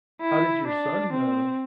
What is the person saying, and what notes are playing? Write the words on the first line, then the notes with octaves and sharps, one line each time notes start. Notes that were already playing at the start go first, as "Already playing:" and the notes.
How did your son, uh,
E4
D4
C4